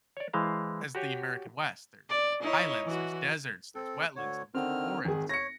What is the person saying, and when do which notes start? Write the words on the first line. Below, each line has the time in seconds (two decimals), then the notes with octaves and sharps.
as the American West. There's highlands, there's deserts, there's wetlands, there's forests.
0.17 C#5 D5
0.33 E3 G#3 C5 F5
0.95 F#4 G4 C#5 G#5
2.10 D5
2.41 D#4 E4 C#5
2.85 E3 F#4
3.75 C4 A4
4.16 D2 D3 C#5
4.54 D3 D#3 C4 F6
5.05 G#1 D#3 G#4
5.29 C#5 A#6 C#7